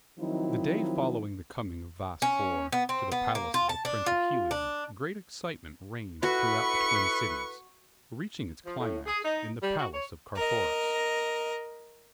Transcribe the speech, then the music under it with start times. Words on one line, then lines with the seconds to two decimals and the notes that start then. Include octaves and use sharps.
The day following the coming of Vas Kor to the palace of the Prince of Helium great excitement reigned throughout the twin cities, reaching its climax in the palace of Carthoris.
0.20 D#3 F3 F#3 C4 D#4 E4
2.22 C#4
2.72 B3
2.89 C4
3.12 B3
3.35 A#3
3.54 F4
3.69 A5
3.85 D4
4.06 F4
4.51 D4
6.23 E4 F#4 A4 B4 B5 C#6
8.66 F3
8.79 A2
9.07 G#4
9.24 D#4
9.62 G3
9.79 F#4
9.93 C#5
10.36 A#4 D#5